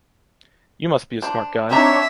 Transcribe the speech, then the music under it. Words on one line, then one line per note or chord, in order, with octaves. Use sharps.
You must be a smart guy!
D4 C5
F#3 C4 D4 D#4 C#5 E5 A#5